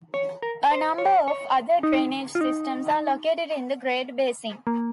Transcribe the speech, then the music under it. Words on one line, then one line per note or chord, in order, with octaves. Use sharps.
A number of other drainage systems are located in the Great Basin.
C#5
A#4
C5
C#5
C#5
D#4
F4
D#4
A#3